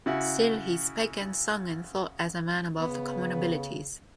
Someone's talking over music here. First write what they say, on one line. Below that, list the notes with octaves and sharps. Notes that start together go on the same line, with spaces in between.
Still, he spake and sung and thought as a man above the common abilities.
C#3 E4 F#4
C#3 B3